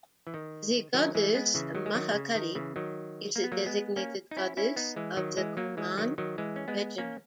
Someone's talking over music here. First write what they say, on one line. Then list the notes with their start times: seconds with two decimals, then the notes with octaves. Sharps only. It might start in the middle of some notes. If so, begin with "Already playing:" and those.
The goddess Mahakali is the designated goddess of the Kumaun Regiment.
0.27 E3
0.34 D#3
0.94 D#3 F#3
1.15 E3 G#3
1.34 G#3 B3
1.54 C#3 E3
1.75 D#3 F#3
1.86 G#3
1.95 D#3 F#3
2.14 C#3
2.35 D#3
2.55 C#3 E3
2.76 D#3 F#3
3.36 A#3
3.44 B3
3.52 F#3 A#3
3.66 G#3 B3
3.96 A#3 C#4
4.31 D#4
4.37 C#4 E4
4.57 C#4 E4
4.76 B3 D#4
4.96 E3 G#3
5.17 D#3 F#3
5.37 E3 G#3
5.57 F#3 A#3
5.77 E3 G#3
5.97 D#3 F#3
6.18 D#3 F#3
6.38 E3 G#3
6.56 C#4
6.68 G#3 B3
6.98 A#3 C#4